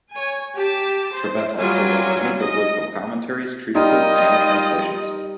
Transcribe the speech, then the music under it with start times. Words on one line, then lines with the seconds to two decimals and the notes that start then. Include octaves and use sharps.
Trivet also wrote many biblical commentaries, treatises and translations.
0.12 C#5 G#5
0.57 G4 A5
1.11 C5
1.58 F#3 G3 F4 G#5
2.39 D#5
3.75 G3 D#4 F4 A#4 D#5 G5 A#5